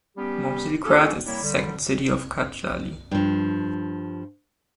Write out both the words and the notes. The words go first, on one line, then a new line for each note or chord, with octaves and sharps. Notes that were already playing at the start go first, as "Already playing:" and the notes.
Momčilgrad is the second city of Kărdžali.
G3 B3 C#4 G4
A#3 C#4 D4 F4 G4 A4
G3 A#3 C4 E4 C#5 D5
D3 G3
G2 F3